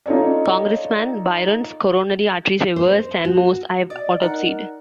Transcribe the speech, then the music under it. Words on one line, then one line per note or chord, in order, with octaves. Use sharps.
"Congressman Byron's coronary arteries were worse than most I've autopsied."
D#4 F4 A4 C#5 D5
C5
F#4
D5 D#5
D#4 A#4 F#5